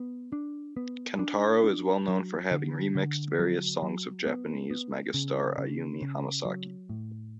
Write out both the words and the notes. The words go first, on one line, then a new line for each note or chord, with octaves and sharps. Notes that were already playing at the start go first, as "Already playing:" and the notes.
Kentaro is well known for having remixed various songs of Japanese megastar Ayumi Hamasaki.
Already playing: B3
D4
B3
D4
D4
F#3
D3
D3
F#3
F#3
B3
B3
C#3
C#3
C#3
F#3
A2